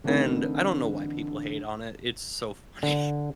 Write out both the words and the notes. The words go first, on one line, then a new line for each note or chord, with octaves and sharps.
and I don't know why people hate on it, it's so funny.
D3 E3 A3 C4 D#4 A#4
D3